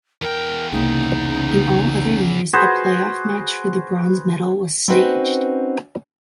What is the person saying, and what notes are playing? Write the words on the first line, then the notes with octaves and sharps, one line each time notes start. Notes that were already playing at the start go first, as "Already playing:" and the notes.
In all other years, a playoff match for the bronze medal was staged.
E2 A#4 G5
C2 C#3 A#3 D#4
F#4 G#4 B4 C5
C4 C#4 D#4 F#4 B4 C5